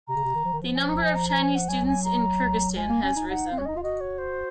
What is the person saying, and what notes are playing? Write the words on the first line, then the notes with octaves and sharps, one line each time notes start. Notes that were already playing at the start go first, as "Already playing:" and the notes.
The number of Chinese students in Kyrgyzstan has risen.
C3 A#5
C#3
C3
D#3
F3
D#3
F3
G#5
A#5
G#5
A#5
A#5
G#5
F#5
F#3 G#5
G#5
A#5
G#3 G#5
A#3
C#4
D#4
D#4 F#5
C4 F5
C#5
C#4
D#4 D#5
F4 F5
F#4 D#5
C#5
C5